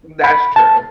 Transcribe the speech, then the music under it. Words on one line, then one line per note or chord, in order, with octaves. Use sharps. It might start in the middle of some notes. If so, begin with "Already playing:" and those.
that's true.
B5
A5